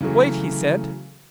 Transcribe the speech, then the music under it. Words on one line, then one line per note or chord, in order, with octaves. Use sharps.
"Wait!" he said.
C#3 E3 F#3 A3